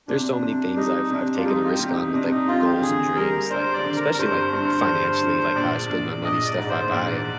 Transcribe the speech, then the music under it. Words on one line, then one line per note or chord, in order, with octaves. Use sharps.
there's so many things I've I've taken a risk on with, like, goals and dreams, like, um especially, like, financially, like, how I spend my money, stuff I buy, and,
C3 D4
D4
C3
G3 D#4
C3 D4
F4
G3 D#4
F4
G4
C3
D#4
C3 D4
D#4
C4 F4
G4
D3 G#4
G3 A#4
D4 C5
D5
D3
A#4
A#4
G2 C5
G2 C5
D3
D3
A#1 D5
A#1
A#1 D#5
D5
G#2
C5
A#1 D5